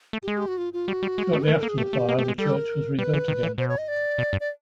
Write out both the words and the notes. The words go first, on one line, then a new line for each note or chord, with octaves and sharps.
Shortly after the fire, the church was rebuilt again.
A3
G4
G#3 G#4
G4
F#4
F4
F4
G3 F#4
G3
G#3
A3
B4
A3
A#4
A#3 A4
G#4
A3 G4
A3
A#3
A3
G#3
G3 A4
A#4
G3 B4
E3
D#3
E3
B2 C5
C#5
D#5
D5
B2
G2
D5